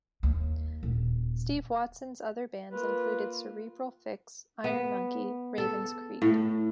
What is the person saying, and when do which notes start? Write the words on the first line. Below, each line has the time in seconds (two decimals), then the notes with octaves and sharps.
Steve Watson's other bands included Cerebral Fix, Iron Monkey, Ravens Creed.
0.23 D#2
0.83 D#1
2.71 A#3 F4 B4
4.64 B3
5.58 A4
6.22 A2